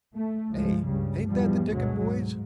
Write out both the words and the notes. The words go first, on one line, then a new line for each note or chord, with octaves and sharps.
"Eh, ain't that the ticket, boys!"
A3
C#2 G2 F3 G#3
C#2 G2 C#3 G3
E2 G2 A#2 F3 G3
D2 G2 B2 F#3 G#3
G#2